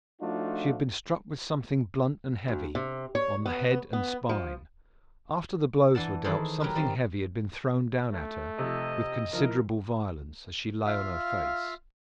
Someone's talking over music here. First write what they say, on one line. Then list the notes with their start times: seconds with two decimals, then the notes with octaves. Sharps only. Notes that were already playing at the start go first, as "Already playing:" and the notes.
She had been struck with something blunt and heavy, on the head and spine; after the blows were dealt, something heavy had been thrown down at her with considerable violence, as she lay on her face.
0.20 F3 A3 D4 D#4 F4 F#4
2.48 D2
2.75 C3
3.15 C#5
3.46 B3
3.93 B3
4.29 F3
5.95 E3 D4 F#5 A5
6.24 D#3 E3 E4 G#4 A4 C5
6.60 F#3 G4 A#4 B4
6.75 D#3 G3 C4 G4
8.12 A3
8.58 C3 F3 D#5
9.33 F3 E4 A#4
10.86 F4 E5 F5